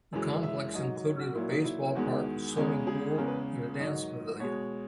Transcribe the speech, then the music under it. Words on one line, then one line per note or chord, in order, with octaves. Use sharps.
The complex included a basepall park, a swimming pool and a dance pavilion.
F#2 E3 G#3
E5
G#2 F#3 D#5
C#5
F#4
A#2 F#3 E4
D#4
E4
E2 D#3 G#3 F#4
E2 C#3 G#3
G#4
E2 C#3 G#3 A#4
B4
G#2 D#3 F#3 D#5
B2 G#3 C#5